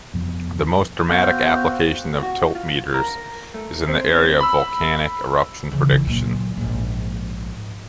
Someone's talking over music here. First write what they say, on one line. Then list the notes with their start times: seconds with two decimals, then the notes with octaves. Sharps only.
The most dramatic application of tiltmeters is in the area of volcanic eruption prediction.
0.14 F2 C3 F3 B3
1.08 B3 C4 F#4 F5 G6
2.23 F#4
2.55 F4
2.94 A#4
3.54 A3
3.88 C4
4.41 B5 E6
5.71 C#3 E3
5.93 E3
6.07 A#2 F#3
6.57 A#1 G#2